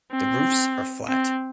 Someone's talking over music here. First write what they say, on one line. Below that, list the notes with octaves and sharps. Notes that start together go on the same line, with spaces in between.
The roofs are flat.
C4
C4